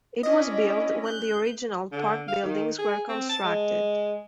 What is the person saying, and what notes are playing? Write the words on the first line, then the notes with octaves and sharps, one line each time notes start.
It was built when the original park buildings were constructed.
C#4 D4 E4 D#5
F#6 G6
D3
F5
D#3
G#4
C4
A5
G#3